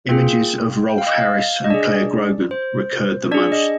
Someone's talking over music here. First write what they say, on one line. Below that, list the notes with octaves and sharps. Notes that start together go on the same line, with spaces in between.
Images of Rolf Harris and Clare Grogan recurred the most.
A#3 F4 G#4 G5
G5
F5
D#5
F5
D#5
D4 G#4 D5
C5
D4 G#4 D5
D#5